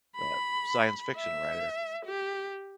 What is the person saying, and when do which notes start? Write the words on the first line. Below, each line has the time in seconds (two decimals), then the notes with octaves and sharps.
the science fiction writer,
0.16 B5
1.16 E5
2.06 G4